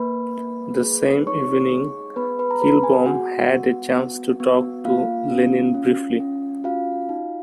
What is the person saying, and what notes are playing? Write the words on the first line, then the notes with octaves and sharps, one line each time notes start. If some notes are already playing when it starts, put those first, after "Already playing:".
The same evening, Kilbom had a chance to talk to Lenin briefly.
Already playing: A#3 B4 B5
A#3
G#4
D#4 C#5 C#6
G#4
B3 B4 B5
B4 B5
A#5
G#4 B4 B5
G#4 G#5
B3 F#4 F#5
B3
B3
B3
A#3 F4 F5
C#4
C#4
C#4
F4 F#4 F5
D#4